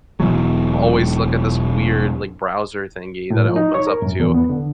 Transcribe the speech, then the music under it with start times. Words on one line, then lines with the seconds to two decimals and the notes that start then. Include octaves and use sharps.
always look at this weird, like, browser thingy that it opens up to,"
0.20 E1 B2 E3 F#3
3.30 A2
3.45 F3
3.56 D#4
3.74 C#5
3.87 A#4
4.02 F#2
4.20 E2
4.34 B3
4.49 D3